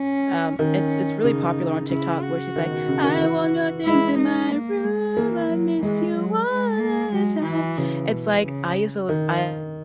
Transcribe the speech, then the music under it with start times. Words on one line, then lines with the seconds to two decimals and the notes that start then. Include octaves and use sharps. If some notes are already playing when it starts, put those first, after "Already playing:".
um, it's it's really popular on TikTok where she's like, "I want your things in my room, I miss you all the time," it's like, I used to lis I
Already playing: C#4
0.59 D#3 C#4
1.24 C#3 D#4
1.90 C#3 E4
2.22 F#4
2.56 D#3
2.71 B2
2.88 C#3
3.04 D#3
3.21 E3
3.86 G#3 E4
4.19 D#4
4.51 A#3
4.84 G#3
5.17 E3 A#3
5.50 F#3
5.82 E3 G#3
6.14 F#3
6.48 G#3
6.80 A#3
7.13 F#3 G#3
7.46 E3
7.78 C#3 E3
8.11 B2
8.44 C#3
9.09 D#3